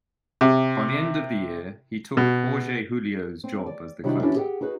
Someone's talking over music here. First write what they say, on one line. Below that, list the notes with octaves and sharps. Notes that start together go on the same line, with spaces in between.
By the end of the year, he took Jorge Julio's job as the closer.
C3
B2
C4
D5
C3 D#3 G3 D4 E4 F#4
C#4 D4 E4 F#4 B4
G4 G#4 C#5 E5 F#5 G5
D#4 F#4 G#4 B4